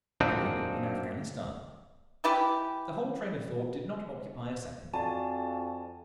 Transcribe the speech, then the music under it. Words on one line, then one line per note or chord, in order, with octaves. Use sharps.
Clearly in Afghanistan.' The whole train of thought did not occupy a second.
F#2 A#2 F3 C4 D4 D#4
E3 E4 G4
F2 F#4 D5 G#5 A5